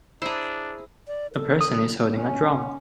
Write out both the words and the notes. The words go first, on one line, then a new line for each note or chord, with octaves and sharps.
A person is holding a drum.
D4 E4 G#4 C5 A#5
D5
A4
D#6
C#4